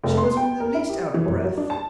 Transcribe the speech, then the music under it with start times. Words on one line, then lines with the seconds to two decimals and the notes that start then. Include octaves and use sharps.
She wasn't in the least out of breath.
0.03 F1
0.17 C6
0.37 G5
0.60 A#4
0.74 E4
0.90 G4
1.14 E3
1.26 F#2
1.44 F#3
1.57 D4
1.70 A5